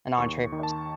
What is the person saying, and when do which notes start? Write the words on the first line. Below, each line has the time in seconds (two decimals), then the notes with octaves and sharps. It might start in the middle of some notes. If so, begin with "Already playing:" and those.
an entrée first.
0.18 D#2 C#6
0.52 D#3
0.63 A5